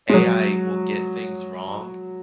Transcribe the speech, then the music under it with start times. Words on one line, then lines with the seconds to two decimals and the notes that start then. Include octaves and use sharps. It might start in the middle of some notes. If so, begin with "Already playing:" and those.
AI will get things wrong,
0.10 G#3
0.14 F#3